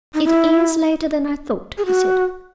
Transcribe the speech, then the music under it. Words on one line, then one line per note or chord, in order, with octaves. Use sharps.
"It is later than I thought," he said.
D#4
E4
G#4
F#4